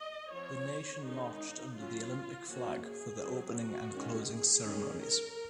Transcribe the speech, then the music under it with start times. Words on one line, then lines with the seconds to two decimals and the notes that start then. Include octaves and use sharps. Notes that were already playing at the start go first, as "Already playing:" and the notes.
The nation marched under the Olympic Flag for the Opening and Closing Ceremonies.
Already playing: D#5
0.33 F3 C4 C#5
1.05 D#3 G#3 C#4 D#4
1.77 F#3 C#4 F4
2.49 F3 A#3 C#4 F#4
2.86 G#4
3.21 F#3 C4
3.57 F#4
3.93 D#3 G#3 C#4
4.29 G#4
4.65 D#3 G#3 C#4
5.01 A#4